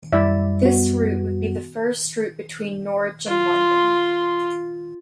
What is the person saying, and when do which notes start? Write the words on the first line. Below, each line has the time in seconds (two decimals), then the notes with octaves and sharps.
This route would be the first route between Norwich and London.
0.13 F#2 G3 E4 D5 E5
0.63 B3 F#4
3.27 F4 C6